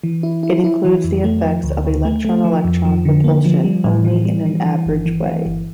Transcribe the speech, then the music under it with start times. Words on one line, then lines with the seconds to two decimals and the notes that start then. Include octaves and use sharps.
It includes the effects of electron-electron repulsion only in an average way.
0.04 E3
0.23 E4
0.43 E4
0.64 E4
0.84 E3
1.04 F2
1.24 A3
1.45 F3
1.64 D2
1.85 D2
2.05 A3
2.25 A3
2.44 F3
2.64 F2
2.85 F3
3.05 D3
3.24 A#3
3.45 F3
3.64 G3
3.84 A2
4.05 E3
4.25 G3
4.45 E3
4.65 E3
4.86 G1
5.06 E3
5.26 E3
5.46 G1